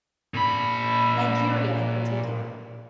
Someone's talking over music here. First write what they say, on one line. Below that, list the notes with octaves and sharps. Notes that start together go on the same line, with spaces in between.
Nigeria in particular.
A#2 B5